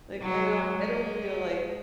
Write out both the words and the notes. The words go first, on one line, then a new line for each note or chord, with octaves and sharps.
Like, I don't I don't feel like
F#3
G#3